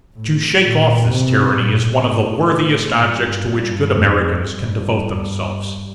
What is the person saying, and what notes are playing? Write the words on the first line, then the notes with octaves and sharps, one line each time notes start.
To shake off this tyranny is one of the worthiest objects to which good Americans can devote themselves.
A2
A#2
C3
A#2
A2
G2
G2
F2
G2